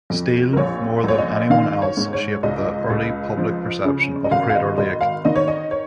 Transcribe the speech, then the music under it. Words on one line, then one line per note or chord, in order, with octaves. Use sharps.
Steel more than anyone else shaped the early public perception of Crater Lake.
F2
A#4
A#1 C#5
A#1 C#5
D#5
D#3 F5
C#5
G#2
C#5
C#2 D#5
C#2
F3
C#3
D#5
G#1 F5
F5
D#5
G#1 D#5
F5
D#3 D#5
C#5
D#5
C#5